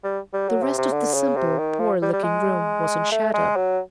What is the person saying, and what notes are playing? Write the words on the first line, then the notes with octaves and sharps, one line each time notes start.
The rest of the simple, poor-looking room was in shadow.
G3
G3
F#3
C3
C3
D3
C#3
C3
D#3
F3
G3
G3
G#3
A3
G#3
F#3